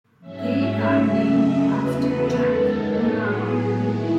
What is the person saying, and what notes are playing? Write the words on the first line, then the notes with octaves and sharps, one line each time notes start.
They are named after Jack Morava.
G#2 F#3 A3 C#4 E5
F#2 C#3 F#3 A3 C#4
D#5
E2 C#3 F#3 B3 B4
A4
F#2 D#3 G#3 B3
A2 F#3 B3 G#4
D#2 D#3 G#3 B3 E4